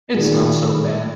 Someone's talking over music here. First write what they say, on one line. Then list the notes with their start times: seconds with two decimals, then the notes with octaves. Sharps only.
It's not so bad.
0.14 A#2 D#3 F#4 G#4